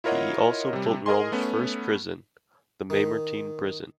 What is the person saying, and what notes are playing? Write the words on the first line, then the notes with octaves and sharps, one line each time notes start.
He also built Rome's first prison, the Mamertine prison.
E4 F4 A#4 C#5 D#5 F#5
C3 G3
G#4 A#4 D#5 G#5 C6
A3 B3 C#4
D#3